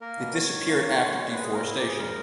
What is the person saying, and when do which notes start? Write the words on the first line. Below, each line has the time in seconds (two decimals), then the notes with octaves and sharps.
It disappeared after deforestation.
0.01 A#3 A#4
0.17 B2
0.34 D#3 C#5
0.50 D#3
0.67 A#3
0.83 D#3
1.00 G#3
1.16 A#2
1.32 G#3 B4
1.44 G#4
1.49 A#2
1.54 A#4
1.66 C#3 E4
1.76 G4
1.82 C#3
1.87 G#4
1.98 A#2 A#4